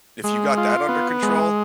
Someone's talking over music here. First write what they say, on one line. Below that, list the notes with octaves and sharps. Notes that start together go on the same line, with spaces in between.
if you got that under control
G#3
F4
B3
G#3